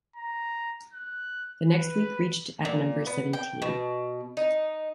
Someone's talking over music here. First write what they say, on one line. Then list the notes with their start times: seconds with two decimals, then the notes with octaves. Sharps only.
The next week reached at number seventeen.
0.16 A#5
0.93 F#6
1.66 B4
2.65 A#2
3.06 B3
3.33 G5
3.62 B2
4.37 D#4